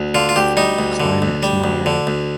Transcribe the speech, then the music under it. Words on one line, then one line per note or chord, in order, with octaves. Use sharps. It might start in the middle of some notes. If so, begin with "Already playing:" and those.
The climate is moderate.
Already playing: D2
D3 F4
F4
D2 G4
G3 D#4
D2
D3
D2
G3
D2
D3
D2